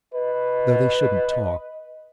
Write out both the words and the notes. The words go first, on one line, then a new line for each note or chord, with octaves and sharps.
Though they shouldn't talk.
B4 D#5